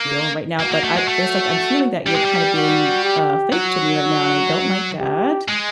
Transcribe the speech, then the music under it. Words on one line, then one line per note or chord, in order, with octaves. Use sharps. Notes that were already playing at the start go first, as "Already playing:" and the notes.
real right now, but I there's like, I'm feeling that you're kinda being, uh, fake to me right now, and I don't like that.
Already playing: A#3
A#3 F#4
A#3
A3
G#3
A3
G3 G4
G#3
G3
F#4
G4
F#3 F#4
G4
G#3